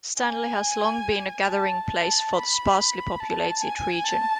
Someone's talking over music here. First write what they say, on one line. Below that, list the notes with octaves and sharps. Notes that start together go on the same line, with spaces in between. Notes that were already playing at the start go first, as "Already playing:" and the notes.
Stanley has long been a gathering place for the sparsely populated region.
G#5
A5
A5
B5
A5
G#5
A5